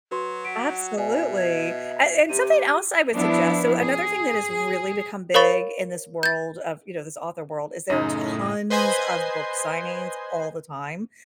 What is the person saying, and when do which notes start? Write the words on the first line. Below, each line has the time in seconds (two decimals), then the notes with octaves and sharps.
absolutely. A And something else I would suggest, so another thing that has really become big in this world of, you know, this author world is there are tons of book signings all the time,
0.11 F#3 F#4 B4 C6
0.45 F#5 B6 D7
0.97 B2 D5 E5 G#5
1.37 D#5 G#6
2.29 C3 G4 D#7
3.13 F3 B3 D4 E4
3.81 G#4
5.34 A#4 C#5 F5 B5 C#6 A6
6.23 G6 A6
7.90 F#2 A2 C#3 D#4 D#5
8.70 B4 C5 D#5 G#5 C6